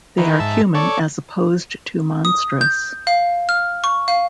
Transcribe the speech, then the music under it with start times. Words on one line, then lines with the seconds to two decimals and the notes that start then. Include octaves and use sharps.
They are human as opposed to monstrous.
0.18 D#3 E3
0.40 G#2 E5 A5
0.75 A4 C#5 D5
2.25 D#6
2.61 G6
3.07 F5
3.49 F6
3.84 C#6
4.08 F5